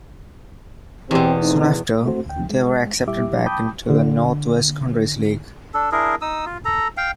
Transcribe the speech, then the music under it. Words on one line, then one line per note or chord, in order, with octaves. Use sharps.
Soon after, they were accepted back into the North West Counties League.
E2 B2 C4 G4
A3 C4 D#4
A3 C4 F#4 C5
D2 G5
G#3
A#2 G3 E4 G4 E5 D6
G5 A5 B5 D6 D#6 G6
D3
D4 A4
D4 E4 G#4 A#4
D#4 D#6 E6
F4
A4 A#5
F5 G5